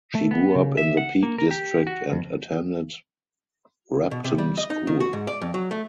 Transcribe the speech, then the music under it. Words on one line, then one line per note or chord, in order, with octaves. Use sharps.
She grew up in the Peak District and attended Repton School.
A3
B3
C#3
E5
F#5
A#3
A#4
G4
F#4
F2
B2
C3
G3
D#5
D#4
D#3
F#4
G#2
D5
F2
F#3
A3